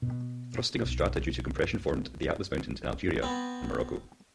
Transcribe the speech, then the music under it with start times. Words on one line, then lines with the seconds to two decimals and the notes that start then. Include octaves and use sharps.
Thrusting of strata due to compression formed the Atlas Mountains in Algeria and Morocco.
0.02 B2
0.84 B1
3.23 B3 C4